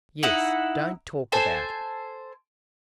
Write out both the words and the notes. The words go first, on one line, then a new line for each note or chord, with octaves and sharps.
"Yes; don't talk about it."
D#4 E4 F#5
A4 C5 G#5